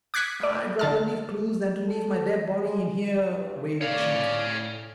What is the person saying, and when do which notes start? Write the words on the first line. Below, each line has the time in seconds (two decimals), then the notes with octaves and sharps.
"I'd rather leave clues than to leave my dead body in here," wailed Chunky.
0.14 D6 F#6 G#6 B6 C#7 D#7
0.43 D5
0.79 D3 A5 F6
1.85 A4
2.54 G#3
3.18 E2 G2
3.81 A2 C#5 D5 F5